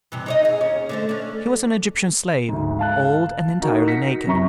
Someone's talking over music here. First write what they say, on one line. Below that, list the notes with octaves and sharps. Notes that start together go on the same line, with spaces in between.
He was an Egyptian slave, old and entirely naked.
G2 C3 E3
D#4 C#5 D#5
G#4
D#2 C#4 C#5
D3 A3 C5
C#4 D4
D2 G#2
F5 A5 F#6
D#4 F#4 A#4
A#6 B6 C#7
F#1 F#2 C3 A#5 C#6